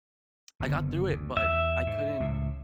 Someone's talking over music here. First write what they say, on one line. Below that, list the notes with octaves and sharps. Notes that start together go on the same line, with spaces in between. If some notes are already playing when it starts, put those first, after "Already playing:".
I got through it, but I couldn't
F#1 D3 B3
D2
E2 E5
G#2
C#2 A2